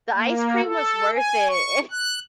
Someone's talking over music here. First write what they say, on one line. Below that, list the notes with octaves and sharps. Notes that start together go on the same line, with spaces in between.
the ice cream was worth it,
A#3
A4
G#5
C#6
F#6